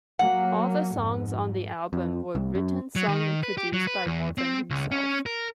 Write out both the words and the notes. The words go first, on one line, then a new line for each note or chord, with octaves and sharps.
All the songs on the album were written, sung and produced by Morvan himself.
F#3 A#3 F#5
F2 G#2
F2
C2
F#2
F#3
D#3
B4
G4
F#3
B4
E2
C4
C#2
C#4
A#4